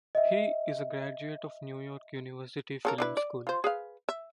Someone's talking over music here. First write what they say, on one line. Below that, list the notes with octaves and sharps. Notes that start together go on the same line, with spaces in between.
He is a graduate of New York University Film School.
D#5 E5
C#3 A4 A#4
D4 E4 B4
D5
F4 C5
G#4 B4 F5
E5